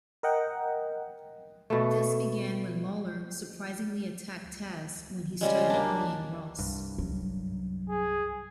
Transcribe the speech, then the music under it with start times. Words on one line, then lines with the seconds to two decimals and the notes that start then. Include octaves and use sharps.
This began when Lawler surprisingly attacked Tazz when he started bullying Ross.
0.23 A#4 D#5 F#5 G5
1.70 B2 A3
5.41 C#3 G3 G#3
5.70 A#3 D4
6.59 C2 G2
6.98 F#3
7.90 G#4